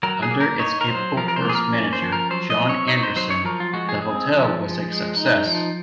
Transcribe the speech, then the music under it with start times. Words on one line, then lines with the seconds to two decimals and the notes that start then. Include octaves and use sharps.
Under its capable first manager, John Anderson, the hotel was a success.
0.03 F#3 A#4
0.22 G#4
0.31 A#3
0.40 A#4
0.59 D#4 C#5
0.81 A#4
0.88 F#3 C5
1.17 F3 A#4
1.28 A#4
1.36 C5
1.45 A#3 G#4
1.55 A#4
1.73 C#4
1.93 C5
2.02 F3
2.12 A#4
2.30 F#3 C5
2.50 D#5
2.60 C4
2.69 C#5
2.88 D#4 C#5
3.03 C5
3.16 F#3 C5
3.30 C#5
3.45 F3 A#4
3.60 F4
3.74 G#3 F#4
3.89 G#4
4.02 C4 G#4
4.31 F3
4.59 F3
4.89 G#3
5.17 D#4
5.46 F3